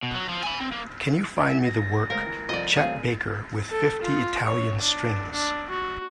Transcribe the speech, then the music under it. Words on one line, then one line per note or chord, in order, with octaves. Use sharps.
Can you find me the work, Chet Baker with Fifty Italian Strings?
B2
F#3
F3
G#5 B5
C4
A#3
E5 G#5
A#6
C#2 A#4 C5 F5
E3
C2 F2 F3 D5 D#5
F#3 A3 C4 G#4 C5 F5
A4
F4
C#5
D4
D4
F#4